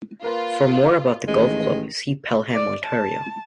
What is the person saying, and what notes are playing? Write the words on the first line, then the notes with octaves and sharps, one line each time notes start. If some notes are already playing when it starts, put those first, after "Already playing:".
For more about the golf club, see Pelham, Ontario.
A#3 F4 A#4 B4
A1 D#3 G#3
D5
A5